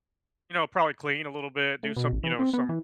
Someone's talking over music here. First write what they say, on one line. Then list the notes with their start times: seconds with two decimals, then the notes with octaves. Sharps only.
you know, probably clean a little bit, do some you know, some
1.83 A2
1.96 B2
2.12 A1
2.24 E3
2.39 C4
2.53 B3
2.69 E3